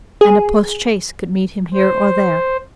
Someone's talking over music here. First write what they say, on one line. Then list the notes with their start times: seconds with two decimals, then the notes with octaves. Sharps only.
And a postchaise could meet him here or there.
0.21 G#4
1.74 C5